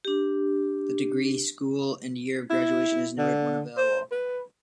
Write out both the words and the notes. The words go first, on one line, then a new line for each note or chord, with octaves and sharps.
The degree, school and year of graduation is noted when available.
D4 G4
E4
D3
C5
B4